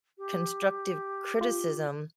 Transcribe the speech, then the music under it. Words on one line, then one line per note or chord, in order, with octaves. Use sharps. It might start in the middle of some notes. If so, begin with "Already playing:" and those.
constructive criticism
G4
F4